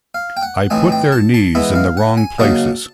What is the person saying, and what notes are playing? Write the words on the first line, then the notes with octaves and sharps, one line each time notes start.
I put their knees in the wrong places.
F5
G5
F#5
A2 E3 A3 C4 D#4 G#5
G5
A5
A5
E3 G#3 B3 E4 B5
F5
F#5
G#5
C#3 F#3 A#3 D#4 A5